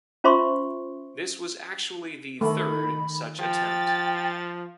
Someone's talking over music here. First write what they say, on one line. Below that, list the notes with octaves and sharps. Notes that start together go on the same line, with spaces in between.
This was actually the third such attempt.
C#4 F4 C5 E5 C6 C#6
D#3 A3 B5
F3 G5 A6